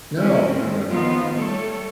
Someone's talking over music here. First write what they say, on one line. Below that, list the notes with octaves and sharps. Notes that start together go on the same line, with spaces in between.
No, no, no, no, no, no, no, no.
G#3 C4 C#4 E4
D#3
D#3 F3 B3 D#4 F4
G3 A3 A4 C#5